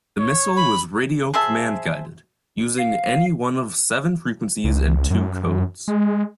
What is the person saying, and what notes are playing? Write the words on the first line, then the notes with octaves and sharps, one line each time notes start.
The missile was radio-command guided, using any one of seven frequencies and two codes.
C#5
B5
G#4 C5 E5 A5
F5
C#2
F#2
G#3